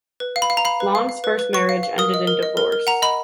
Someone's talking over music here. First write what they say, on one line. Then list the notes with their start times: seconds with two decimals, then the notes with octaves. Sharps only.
Long's first marriage ended in divorce.
0.20 B4
0.36 F5
0.42 B5
0.50 F5
0.57 A#5
0.65 F5 B5
0.80 B4
0.95 F5
1.09 F5
1.24 B4
1.39 B4
1.53 B4 C#6
1.69 F5
1.83 F5
1.98 A#4 D#6
2.14 D#5
2.27 A#4
2.43 D#5
2.57 A#4
2.72 A#4
2.87 F#5 A#5
3.02 D#5 B5